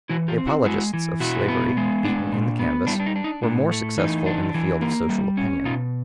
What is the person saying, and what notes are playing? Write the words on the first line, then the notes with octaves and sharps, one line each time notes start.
The apologists of slavery, beaten in the canvass, were more successful in the field of social opinion.
E3 E4 F#4
F4 G4
C4
E4 F#4
G#3 E4 F#4
E3
B2 E4 F#4
B3
G#3
D4
A#2
B3
G3 D4 E4
D4
D#4
D4
D#4
A2 D4
A3
E3 D#4
D4
E3
A#3
G3
C#4
B2 D#4 F4